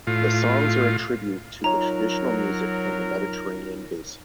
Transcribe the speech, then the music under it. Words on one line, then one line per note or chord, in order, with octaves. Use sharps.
The songs are a tribute to the traditional music from the Mediterranean basin.
A2 F4
F#3 D#4 F4 A#4 C#5 A#5